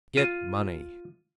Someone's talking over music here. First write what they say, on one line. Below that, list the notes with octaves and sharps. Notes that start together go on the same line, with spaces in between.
Get money!
F4 D#7